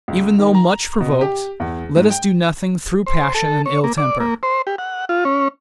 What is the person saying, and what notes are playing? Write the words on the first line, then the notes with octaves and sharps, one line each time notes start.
Even though much provoked, let us do nothing through passion and ill temper.
C#2
D#3
A#5
B2
G4
E2
G#2
G5
C5
A4
C#5
A#3
D5
A#3
C5
G4
F#5
F4
C#4